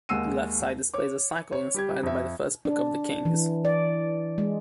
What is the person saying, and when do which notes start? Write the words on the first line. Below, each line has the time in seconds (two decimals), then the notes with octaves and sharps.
The left side displays a cycle inspired by the first book of the Kings.
0.09 D#2 G#3 F#5 E6 C7 D#7
0.94 C#5 D6
1.52 C#5
1.74 G3 G4 G#6
2.03 F2 E5
2.65 D4
3.25 E3
3.65 D5
4.38 G#3